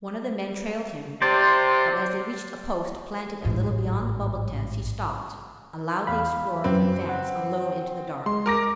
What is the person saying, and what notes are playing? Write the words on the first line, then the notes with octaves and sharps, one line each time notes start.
One of the men trailed him, but as they reached a post planted a little beyond the bubble tents he stopped, allowed the explorer to advance alone into the dark.
C3 C5 D5
A1 G#2
E2 F5 B5
F#2 C4 B4
F#5
G#3 C6
A#4 D6 A#6